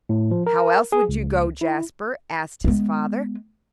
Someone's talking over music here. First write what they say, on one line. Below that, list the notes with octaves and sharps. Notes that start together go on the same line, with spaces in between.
"How else would you go, Jasper?" asked his father.
A2
F3
A#4
G#4
C#2
E4
G#3 B3